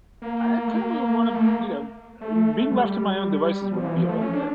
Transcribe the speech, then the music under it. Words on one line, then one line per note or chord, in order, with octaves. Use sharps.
I had kind of u wanna, you know, uh be left to my own devices wouldn't be a bad thing.
A#3
A3
A#3
A#3
A3
A#3
A3
G3
F3
E3
F3
A3
C#4
D4